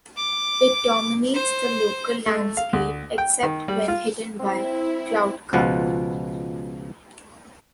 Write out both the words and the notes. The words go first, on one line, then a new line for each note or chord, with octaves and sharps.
It dominates the local landscape except when hidden by cloud cover.
D6
C5
A3
F5
D2
G5
D#3
G3
F4
C4 E4
C#2 B2 F3 F#5